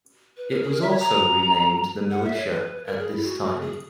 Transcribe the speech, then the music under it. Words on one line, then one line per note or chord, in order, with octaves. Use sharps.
It was also renamed the "Militia" at this time.
B4
A#4
G#4
A#4
E5
C#5
A#5
F#5
E5
C#5
B4
A#4
G#4
E4
F#4
G#4